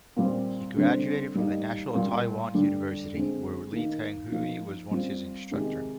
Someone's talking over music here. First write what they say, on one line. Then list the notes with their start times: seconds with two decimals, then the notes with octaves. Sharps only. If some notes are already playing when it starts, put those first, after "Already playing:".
He graduated from National Taiwan University, where Lee Teng-hui was once his instructor.
0.17 A#2 G3 C4
0.76 D3 G3 C4
1.35 G3 A#3 D#4 G4
1.95 A#2 G3 A#3
2.54 D3 G3 D4
3.14 D3 G#3 C4
3.72 D#3 A#3 D#4
4.32 F3 A#3 D#4
4.91 G3 C4 F4
5.51 C3 D#3 G#3 D#4 G4